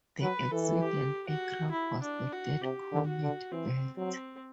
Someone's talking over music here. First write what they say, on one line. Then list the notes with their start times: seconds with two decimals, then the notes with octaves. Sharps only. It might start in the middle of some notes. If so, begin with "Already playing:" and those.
The accident aircraft was the third Comet built.
0.21 F#3 B4
0.51 E3 A4
0.82 G4
1.27 F#4
1.71 E4
2.02 D4
2.32 F#4
2.61 C3 G4
2.92 D3
3.07 F#4
3.22 D3
3.51 E3 C4
3.97 F#3 C4